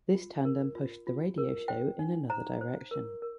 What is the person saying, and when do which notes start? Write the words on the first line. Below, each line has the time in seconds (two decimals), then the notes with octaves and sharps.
This tandem pushed the radio show in another direction.
0.15 F4
0.45 A#4
0.75 F4
1.07 F4
1.38 A#4
1.68 C5 G5
1.99 D#4
2.30 C5 A#5
2.61 C5
2.91 A#4
3.22 A#4